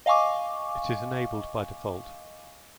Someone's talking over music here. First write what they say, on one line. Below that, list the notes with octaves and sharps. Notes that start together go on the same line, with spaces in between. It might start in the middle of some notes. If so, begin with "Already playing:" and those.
It is enabled by default.
D#5 F5 G#5 C#6 D6